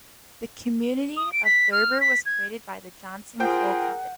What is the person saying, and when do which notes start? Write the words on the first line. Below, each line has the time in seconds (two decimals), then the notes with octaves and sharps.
The community of Thurber was created by the Johnson Coal Company.
1.17 D#6
1.32 D7
1.45 B6
1.72 F6
2.01 B6
2.26 G#6
3.40 F4 G#4 A#4 C5 F#5 G5 G6